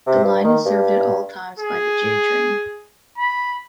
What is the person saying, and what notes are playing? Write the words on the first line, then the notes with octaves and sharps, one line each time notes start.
The line is served at all times by the J train.
C3
G2
D#3
G2
G#4
B5